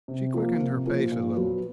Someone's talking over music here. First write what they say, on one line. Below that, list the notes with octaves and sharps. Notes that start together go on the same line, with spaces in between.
She quickened her pace a little.
C3
F3 A#3
C3
F3 A#3
A#2
F#3 B3